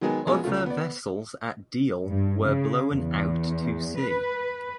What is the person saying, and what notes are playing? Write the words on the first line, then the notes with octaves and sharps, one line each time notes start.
Other vessels at Deal were blown out to sea.
D#3 F#3 G#3 B3 G#4
F#3 G#3 B3 C#4 F4 G#4
C#2 C#3 A3 F4
B3 D5
G2
C#3
E2
B4